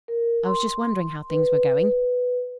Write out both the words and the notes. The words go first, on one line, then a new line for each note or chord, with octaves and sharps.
"I was just wondering how things were going."
A#4
C6
B4